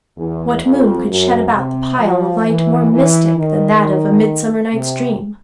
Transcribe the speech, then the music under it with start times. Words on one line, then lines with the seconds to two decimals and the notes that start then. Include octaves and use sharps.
What moon could shed about the pile a light more mystic than that of "A Midsummer Night's Dream"?
0.17 E2
0.63 F2
1.09 F#2
1.54 C3
1.99 F3
2.46 E3
2.91 E3
3.37 D#3
4.73 C3